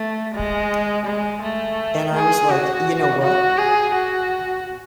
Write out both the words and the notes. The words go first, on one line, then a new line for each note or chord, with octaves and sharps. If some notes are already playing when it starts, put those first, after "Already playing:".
And I was, like, You know what?
Already playing: A3
G#3
G#3
A3
G#4
F#4
F#4
G#4
F#4